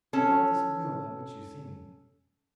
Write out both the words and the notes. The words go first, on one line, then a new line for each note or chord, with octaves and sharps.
'I bought this mule on which you see me.'
C#4 A4